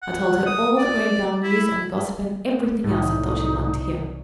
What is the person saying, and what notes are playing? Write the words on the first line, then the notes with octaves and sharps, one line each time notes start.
I told her all the Greenvale news and gossip and everything else I thought she'd like to hear.
F#5
D#6
D5
E4
C2 A2 D#4